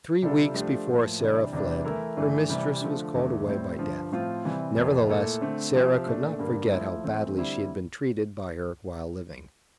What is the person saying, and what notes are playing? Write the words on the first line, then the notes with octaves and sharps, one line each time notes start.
Three weeks before Sarah fled, her mistress was called away by death; nevertheless Sarah could not forget how badly she had been treated by her while living.
C3 G3 D4 F4 A4
F3 A3 D4 G4 C5
A2 F3 A#3
C3 E3 G3 D4
E2 C3 G3 D4
E3 A3 E4 A#4
G2 E3 A3 D4
C3 E3 G3
D3 F3 A3
E2 D3 A3
A2 G3 C4
G2 D3 F3
A2 F3 C4 F4
C3 E3 G3 C4
F2 C3 E3 A#3
A#2 A3 E4 A4
D3 A3 C4
C3 F3 C4 G4
A#2 A3 D4
G2 D3 G3 A#3
F3 A3 E4
E3 A3 C4
D3 G3 C4 E4